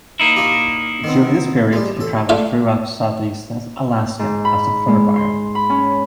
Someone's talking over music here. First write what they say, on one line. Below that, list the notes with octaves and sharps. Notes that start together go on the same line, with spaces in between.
During this period, he traveled throughout southeast Alaska as a fur buyer.
A#3 D#4 E4
A#2 F4 G4
D#3 B3 C4
G3 G#3
A1 A4
A2 A3 F4 D5
G#2
B5
G#3
C6
B5
C#4